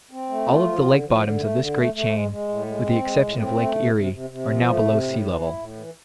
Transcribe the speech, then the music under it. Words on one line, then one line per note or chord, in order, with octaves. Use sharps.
All of the lake bottoms of this great chain, with the exception of Lake Erie, are now below sea-level.
C4
A3
F4
F3
D3
F3
D3
A3
D3
A3
A3
G#3
G#3
A2
G#3
C4
G#3
A2
C4
A3
C3
C3
C3
C3
F3
A3
C3
A2
E3
E4
A2
E3